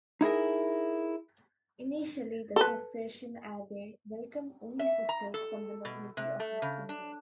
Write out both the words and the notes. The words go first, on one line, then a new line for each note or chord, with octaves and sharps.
Initially, the Cistercian abbey welcomed only sisters from the nobility of Luxembourg.
D#4 E4 G#4 A#4
A4 B4
E5
A#5
A4
B2
C3
A3
C#3
D4